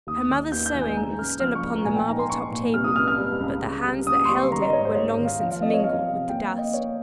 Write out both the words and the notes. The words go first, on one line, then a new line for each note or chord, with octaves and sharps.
Her mother's sewing was still upon the marble-topped table, but the hands that held it were long since mingled with the dust.
D#2 D#6
D#3
D#2 G6
G6
D#2
G#5
G#3 A#5
C#3 F6
F3 F6
C#6
C#2
A#5
A#2 G#5
G5
D#4 A#5
C6
D#4 C#6
A#2
C3 F6
D#6
C#2 F6
F6
G3
C#2
C#3
G3
C#3 D#6
C6
G3 C#6
D#3 A#5
D#5
G#2 C#5
C5
G#2 C#5
D#3
F5
F3 F5
F5
C4 D#5
C#5
D#5
C4 F5
C3
A#3 G5
F5
A#3
D#5
A#3 C#5